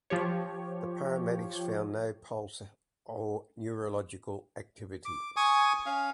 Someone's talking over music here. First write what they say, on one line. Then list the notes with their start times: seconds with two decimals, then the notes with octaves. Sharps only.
The paramedics found no pulse or neurological activity.
0.10 F3 G4 C#5
5.05 D6
5.36 G#5 C#6 D#6
5.86 C#4 F5